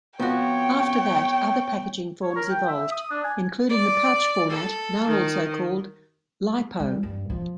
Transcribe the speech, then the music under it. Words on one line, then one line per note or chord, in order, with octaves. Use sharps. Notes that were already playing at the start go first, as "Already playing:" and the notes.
After that, other packaging forms evolved, including the pouch format now also called "LiPo".
F3 B3 C4 F#4 C#5 G5
C#5
A#4
G5
E5
D#6
D4
G#5
D5
A4
D#3
G3
G2
F3